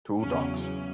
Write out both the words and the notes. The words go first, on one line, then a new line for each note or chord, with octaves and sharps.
Two dogs.
E2 C#3 F#3 C#4
C#4